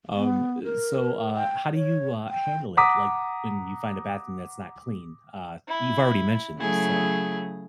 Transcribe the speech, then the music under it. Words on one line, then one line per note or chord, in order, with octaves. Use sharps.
Um, eh, so, uh, how do you, uh, handle it? Like when you find a bathroom that's not clean, uh, you've already mentioned this, so
B3
A#4
G5
C#5
G5
F#5 A#5 D6 D#6 B6
E4
C#3 F#3 A3 E4 G#4